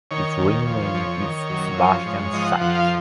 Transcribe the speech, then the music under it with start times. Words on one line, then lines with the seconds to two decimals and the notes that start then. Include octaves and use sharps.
His Ring name is Sebastian Sage.
0.11 D#3 C#5
0.39 D#2
0.67 F3
0.94 F2
1.22 D#3
1.50 F#2
1.78 F3
2.05 G#2
2.33 F3 D#5
2.47 F#5
2.61 F2 F#5
2.75 F5